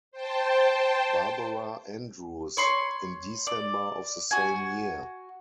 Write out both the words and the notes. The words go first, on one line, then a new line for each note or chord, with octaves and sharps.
Barbara Andrews, in December of the same year.
C5 G5 A5
C#5 B5 C6
D5
F#4 G#5